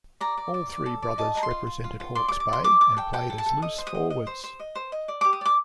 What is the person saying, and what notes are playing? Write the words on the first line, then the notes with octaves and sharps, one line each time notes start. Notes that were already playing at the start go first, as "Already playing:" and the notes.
All three brothers represented Hawke's Bay and played as loose forwards.
D5 A#5
D5
D5
D5
A4
D5
D#5 A5
D#5 A#5
C6
F4
F4
F4
F4
D5 C6
D6
D5
D6
D5 C6
D5 D6
D5 D6
A4 G5
A4 G5
A4
A5
A4
D#5 D#6
C5
D#6
D#5
D#5
C5
C5
D#5
C5
D#5
D5
G4 D6
D#6
D5 D6